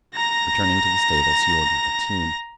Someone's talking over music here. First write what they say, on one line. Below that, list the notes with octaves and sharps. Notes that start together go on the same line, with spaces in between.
Returning to the stables, he ordered the team.
A#5 A#6